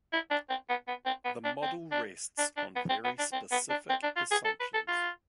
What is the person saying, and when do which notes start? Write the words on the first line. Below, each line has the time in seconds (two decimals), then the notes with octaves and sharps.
The model rests on very specific assumptions.
0.13 E4
0.31 D4
0.49 C4
0.69 B3
0.88 B3
1.06 C4
1.25 B3
1.44 D4
1.62 C4
1.92 D4
2.38 D4
2.57 D4
2.76 B3
2.89 C4
3.04 B3
3.19 D4
3.32 C4
3.51 B3
3.70 D4
3.89 C4
4.03 D4
4.16 F4
4.31 G#4
4.45 A4
4.60 B4
4.74 A4
4.88 F4